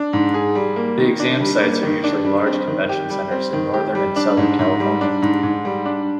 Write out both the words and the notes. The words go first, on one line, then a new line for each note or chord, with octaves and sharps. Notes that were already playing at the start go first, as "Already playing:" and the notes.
The exam sites are usually large convention centers in Northern and Southern California.
Already playing: D4
G#2
G#4
G3
A#3
D#3
D4
G3
A#3
D#3
D4
G3
C4
D#3
G4
G3
C4
D#3
G4
G3
D4
G#2
G#2
G3
D4
G#2
G#2
G3
D4